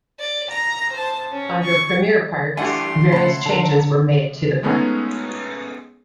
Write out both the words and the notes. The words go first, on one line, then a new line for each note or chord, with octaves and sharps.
Under Premier Parks, various changes were made to the park.
D5
A#5
C5 A5
C#4
C#6
G2 E3 A3 D4 G4 F#5 G#5 C6
C#3 A3 C#5 F#5 A5 B5
D3 A4 A#4
G#3 A3 B3 C#4 D#4 G#4